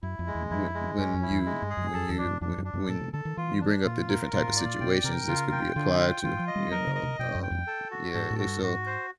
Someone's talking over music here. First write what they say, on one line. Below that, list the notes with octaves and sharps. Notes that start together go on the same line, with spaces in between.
Whe when you when you when when you bring up the different type of situations, this could be applied to, you know, um, yeah, it's so,
F#2 E4
F2
G#3
E2
F2 E4
G#3
F#2 C#4
F2
E4
E2
G#3
G2
G#4
F#2
F2 A4
E2
D4
F#2
F2 D4
F#2
D4
F#2
A#2 A4
C3
D3 A4
D#3
E3 F4
D4
A#2 F4
A#4
A#2 F4
G#2
D5
A#2
B2 G5
C3 A#4
C#3 F4
G5
D3 F4
G5
E3 F4
F3
D#5
G3
F#3 A#4
C#3
D#5
C3
B2 G5
F#2
G5
F2
A4
F#4
G#2 A4
A2
F#4
G2
G#2 F#4
C5